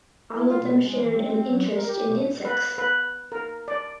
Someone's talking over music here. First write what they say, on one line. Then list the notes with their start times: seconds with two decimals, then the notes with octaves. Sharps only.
All of them shared an interest in insects.
0.37 E4
0.49 F4
0.62 B2
0.85 G#3
0.98 E3
1.13 C4
1.28 C4
1.51 F#3
1.64 G#3
1.77 A#4
1.89 G4
2.09 B2
2.45 B4
2.78 B4
3.32 A#4
3.68 D5